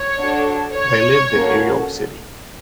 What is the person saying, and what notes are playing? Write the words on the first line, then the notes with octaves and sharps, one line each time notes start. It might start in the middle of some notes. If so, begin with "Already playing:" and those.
They lived in New York City.
Already playing: C#5
D4 F#4 A4
C#5
A#3 C#4 F#4 A4